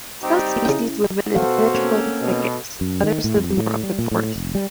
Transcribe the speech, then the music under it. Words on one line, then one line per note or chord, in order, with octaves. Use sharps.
Some species live in impenetrable thickets; others live in more open forest.
G3 C4 D#4 G4
C#3 C#4 E4 G5
B2 F#4 A4 C5 F5 F#5
A#3 C4 C#4 A4
B2
F#2
D#3
A2
F2
A2
G3
A#2
A2
F1
G3